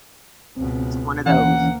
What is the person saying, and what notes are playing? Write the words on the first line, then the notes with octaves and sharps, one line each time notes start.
one of those.
C#2 B2 C4
D2 E3 A#3 C#4 F#5